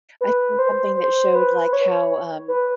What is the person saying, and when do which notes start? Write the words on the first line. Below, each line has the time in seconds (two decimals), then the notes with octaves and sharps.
I think something that showed, like, how, um,
0.21 B4
0.59 C5
0.96 C5
1.35 B4
1.73 C#5
2.48 B4